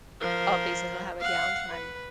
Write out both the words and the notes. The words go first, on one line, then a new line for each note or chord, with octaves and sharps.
Oh, basically I'll have a downtime.
F3 A#4
F5 F#5
B4